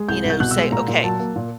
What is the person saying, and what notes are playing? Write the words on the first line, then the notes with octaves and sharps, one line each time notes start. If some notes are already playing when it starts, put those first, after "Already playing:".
you know, say, "Okay,
Already playing: G#3
C2 G6
C2
G6
B2 F#6
E6
G#3
A#2 A#5
A#2
F#3 A5
A#3
A#2